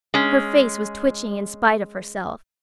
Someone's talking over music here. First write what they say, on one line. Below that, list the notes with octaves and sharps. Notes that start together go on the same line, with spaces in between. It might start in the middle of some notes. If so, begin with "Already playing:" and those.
Her face was twitching in spite of herself.
G#3 C#4